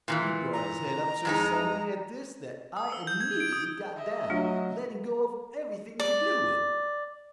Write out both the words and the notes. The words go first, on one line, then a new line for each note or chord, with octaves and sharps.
He brought his head up so suddenly at this that I immediately got down, letting go of everything to do it.
A#2 D#3 E3
A#5
F2 G#3 D#4
D#6
E6
G6
G#6
D7
D#6
D#5 E5
F#3 A3 D4 F4
D5